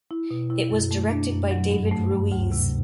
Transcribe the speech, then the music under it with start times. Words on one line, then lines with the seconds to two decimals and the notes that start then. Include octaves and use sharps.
It was directed by David Ruiz.
0.11 E4
0.30 B2
0.50 E4
0.71 F#2
0.91 A3
1.11 D4
1.31 F#2
1.51 F#3
1.71 G2
1.91 A3
2.11 G2
2.32 D2
2.52 C3